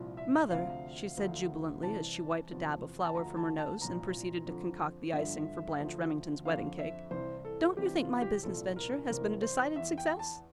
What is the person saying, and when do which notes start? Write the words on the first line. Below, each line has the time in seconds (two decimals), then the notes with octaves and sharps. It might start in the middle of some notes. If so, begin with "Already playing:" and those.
"Mother," she said jubilantly, as she wiped a dab of flour from her nose and proceeded to concoct the icing for Blanche Remington's wedding cake, "don't you think my business venture has been a decided success?"
Already playing: C2 A#2 F3
0.17 E5
0.50 D2 C3 F3 F5
1.17 D2 D3 F3
1.83 C2 C3 E3 A5
2.49 E2 C3 F3
3.05 A5
3.15 D2 D3 F3 A#5
3.37 A5
3.59 A5
3.81 C2 A#2 F3 A#5
4.47 F2 D3 F3
5.13 G2 D3 F3 E5
5.79 D2 D3 F3
6.45 F2 D3 F3 F5
6.79 E5
7.11 C2 C3 E3 C5
7.45 A4
7.77 C2 C3 E3 G4
7.99 F4
8.11 F4
8.22 G4
8.43 C2 A#2 F3 A4
8.76 A#4
9.09 C2 C3 E3 A#4
9.42 C5
9.76 E2 E3 E5
9.98 G5
10.19 A5